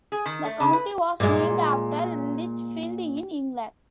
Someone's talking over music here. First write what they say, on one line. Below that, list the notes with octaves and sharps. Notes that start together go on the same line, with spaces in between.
The county was named after Lichfield, in England.
G#4
D#3
A3
C#3
B4
A#2 G#3